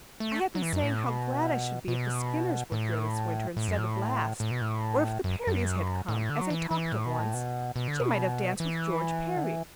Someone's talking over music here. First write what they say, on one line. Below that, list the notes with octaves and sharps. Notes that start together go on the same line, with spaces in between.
I have been saying how glad I should be if the Skinners were here this winter instead of last; or if the Parrys had come, as they talked of once, she might have danced with George Parry.
A3
F#3
E3
F#2
A2
B2
B2
A2
A2
F#2
A2
A2
B2
A2
F#2
F#2
A2
D3
F#3
E3
E3
A2
B2
A2
B2
B2
D3
B2
E3
D3
E3